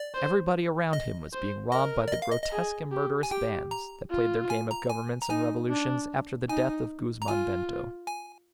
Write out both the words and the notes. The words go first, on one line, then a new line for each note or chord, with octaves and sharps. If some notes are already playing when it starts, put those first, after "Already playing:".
Everybody around him was being robbed by the grotesque and murderous bands that played their game of governments and revolutions after the death of Guzman Bento.
Already playing: D5
C5
D#5
C5
A#4 D#5
D5
D#5
F5
D#5
D#5
G#4
G4
G#5
G4 G5
A#5
F4
G#5
A#5
G#5
A#5
D#4 G#5
D4
D#4 G#5
A#5
F4 G#5
G#5